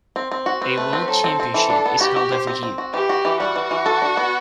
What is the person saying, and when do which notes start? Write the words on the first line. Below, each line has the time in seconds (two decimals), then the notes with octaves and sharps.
A World Championship is held every year.
0.16 C4
0.31 C4
0.46 F#4
0.62 C4 B4
0.78 A3
0.93 C4
1.08 F#3 A4
1.24 C4
1.40 C4
1.54 E3 A4
1.70 D4
1.86 B3
2.01 F#4 G4
2.16 F#4
2.32 C5
2.47 C4
2.63 C4
2.78 F#4
2.93 E3 G4
3.09 F#4
3.25 E3
3.40 G3 F#4
3.56 E3
3.71 E3
3.86 A4
4.02 D4
4.17 B3